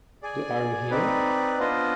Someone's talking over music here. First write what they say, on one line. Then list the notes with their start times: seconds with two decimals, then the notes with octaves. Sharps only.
The Are We Here?
0.23 G#4 D5 G#5
0.91 C4 D#4 B4 D5
1.59 B3 D4 F4 C5 D#5